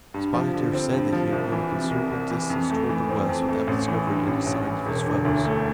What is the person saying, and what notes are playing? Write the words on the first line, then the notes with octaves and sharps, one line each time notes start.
Spotted Deer said that he had gone a considerable distance toward the west without discovering any signs of his foes.
G2
F3
D3
C4
G2
F3
C2
E3
C3
C2
C2
E3
F2
A3
E3
C4
F2
A3
A1
E3
G2
A1
A1
E3
E1
D3
D2
A3